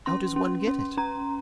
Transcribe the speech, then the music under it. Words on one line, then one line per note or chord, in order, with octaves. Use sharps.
"How does one get it?"
C#4 C6
C#4
C#4
C#4 A#5